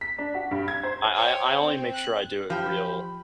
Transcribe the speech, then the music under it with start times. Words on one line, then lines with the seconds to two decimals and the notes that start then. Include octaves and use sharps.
I I I only make sure I do it in real,
0.01 B6
0.18 D4
0.35 F#4
0.51 G2
0.68 G#6
0.83 C5
1.15 C5 C#5 G5
1.56 C4
1.92 F#6
2.50 F3 G4 B5